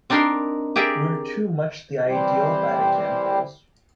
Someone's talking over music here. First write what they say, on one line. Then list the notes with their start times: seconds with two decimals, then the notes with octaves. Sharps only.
We're too much the ideal bad examples.
0.10 C4 D4 D#4 A#4 B5 C6
0.76 G4 G#4 A#4 D5 E5
2.07 E3 G3 C4 E4 G4 C5